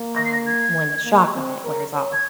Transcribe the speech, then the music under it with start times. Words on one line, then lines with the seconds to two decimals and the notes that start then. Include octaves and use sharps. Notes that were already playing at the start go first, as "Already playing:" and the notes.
um, when the shock of it wears off
Already playing: A#3
0.16 A#6
0.25 C7
0.33 A#6
0.46 G#6
1.05 A#3
1.35 C4
1.64 A#4
1.94 C#5
2.13 G#6